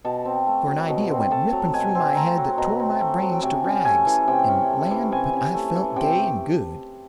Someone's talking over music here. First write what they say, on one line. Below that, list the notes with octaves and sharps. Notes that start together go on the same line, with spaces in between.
For an idea went ripping through my head that tore my brains to rags--and land, but I felt gay and good!
B2 A5
C4
A3
F#3
B2
C4
A3 A5
F#3
B2 G#5
C4
A3 A#5
F#3
B2 A#5
C4
A3
F#3
G5
C3 G#5
C#4
A3 G#5
E3
C3 G5
C#4
A3
E3
C3 G#5
C#4
A3
E3
C3 G5